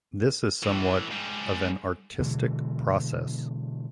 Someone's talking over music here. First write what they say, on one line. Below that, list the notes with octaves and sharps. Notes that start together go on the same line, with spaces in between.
This is somewhat of an artistic process.
A2 E3
G#2 G3
B2 D3 E3 G#3